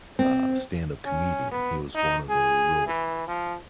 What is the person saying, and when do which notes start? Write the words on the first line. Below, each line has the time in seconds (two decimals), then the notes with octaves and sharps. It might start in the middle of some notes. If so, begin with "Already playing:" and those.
uh, stand up comedian. He was one of the real
0.19 C4
1.05 C#4
1.51 B3
1.95 D#4
2.29 G#4
2.87 E3
3.28 F3